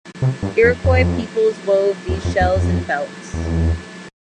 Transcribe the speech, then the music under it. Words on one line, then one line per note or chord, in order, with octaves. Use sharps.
Iroquois peoples wove these shells in belts.
C3
G2
F2
F2
E2
F2
E2
F2
E2